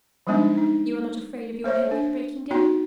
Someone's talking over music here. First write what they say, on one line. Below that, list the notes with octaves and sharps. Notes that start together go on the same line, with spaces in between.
"You are not afraid of your health breaking down?"
F3 G3 G#3 B3 D4 D#4
D#4
A#3 C5 C#5 E5
D4 A4
B3 D#4 F#4 G5